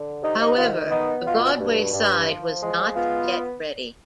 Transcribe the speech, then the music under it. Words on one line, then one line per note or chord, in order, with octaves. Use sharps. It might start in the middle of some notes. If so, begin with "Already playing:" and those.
However, the Broadway side was not yet ready.
Already playing: D3
C3 D#4
D#4
D#3 F4
B3 D#4
B2 F4
G2
G2
F3
G#3
B3 F4